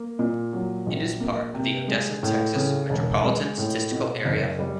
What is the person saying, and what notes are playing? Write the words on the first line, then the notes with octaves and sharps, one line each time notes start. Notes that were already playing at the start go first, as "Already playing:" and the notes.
It is part of the Odessa, Texas, Metropolitan Statistical Area.
Already playing: A#3
A#2
F#3
A#1
A#3
C3
G#3
A2
C#3
E1
G#3
A2
B2
F#1
G3